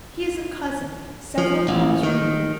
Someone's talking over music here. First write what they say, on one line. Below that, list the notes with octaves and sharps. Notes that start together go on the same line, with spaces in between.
He is a cousin, several times removed.
F3
A1
D#3